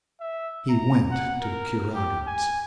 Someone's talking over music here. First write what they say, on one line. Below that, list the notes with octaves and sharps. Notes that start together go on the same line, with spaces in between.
He went to Kuragin's.
E5
A#5
F#5
A#4
G4
G#5